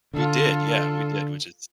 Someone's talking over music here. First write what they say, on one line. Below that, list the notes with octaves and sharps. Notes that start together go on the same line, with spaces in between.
We did, yeah, we did, which is
D3 F4 A4